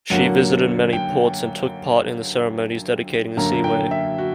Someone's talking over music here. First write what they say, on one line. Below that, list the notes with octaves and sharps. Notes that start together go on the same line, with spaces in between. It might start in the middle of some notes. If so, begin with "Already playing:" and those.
She visited many ports and took part in the ceremonies dedicating the Seaway.
F#2 D3 F#3 A#3 F#5
G5
F#2 D3 A#3 A#5
G5
E5
F#4